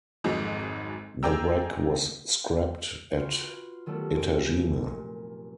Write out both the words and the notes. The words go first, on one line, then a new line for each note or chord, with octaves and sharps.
The wreck was scrapped at Etajima.
G#1 F2 G#2 F#3 G#3
G#4 D5 G5 A#5 E6
F4 F#4 B4
D#3 F#3 G3 A3 B3
F1 D7
A#2